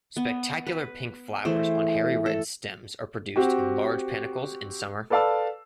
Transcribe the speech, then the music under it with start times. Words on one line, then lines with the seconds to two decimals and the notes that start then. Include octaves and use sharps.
Spectacular pink flowers on hairy red stems are produced in large panicles in summer.
0.17 B3
0.67 B4
1.45 E3 A3 G#4 C5
2.26 A4
3.36 C4 F#4 G4
5.10 A4 B4 D5 F5 A5 E6